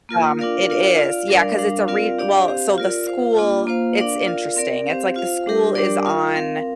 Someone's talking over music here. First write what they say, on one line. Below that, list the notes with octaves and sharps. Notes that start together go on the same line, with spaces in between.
Um, it is. Yeah, 'cause it's a re well so the school it's interesting, it's like the school is on,
A#3 F4 A#4
D4 F4 A#4 D5 F5
D4 F4 A#4 D5 F5
F4 D5 F5
G3 D4 A#4 D5 F5
G3 D4 A#4 F5
C4 F4 A#4 D5 F5
D4 G4 D5 F5
C4 G4 C5 F5
F4 A#4 D5
F4 C5 F5
A#3 D4 F4
A#3 F4 C5 F5
D4 A#4 D5 F5
F4 A#4 D5 F5
C4 A#4 D5
C4 G4 C5 F5
F4 C5 F5
G3 D4 G4 A#4
G3 D4 G4 A#4 D5
F4 A#4 F5
C4 A#4 F5